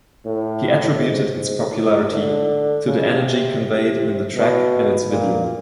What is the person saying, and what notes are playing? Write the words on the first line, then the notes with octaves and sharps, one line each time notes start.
He attributed its popularity to the energy conveyed in the track and its video.
A2
G#2
G#2
A2
D3
C#3
C3
C3
B2
A#2